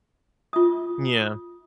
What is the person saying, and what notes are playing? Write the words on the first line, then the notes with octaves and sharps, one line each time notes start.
N yeah.
F4 D#6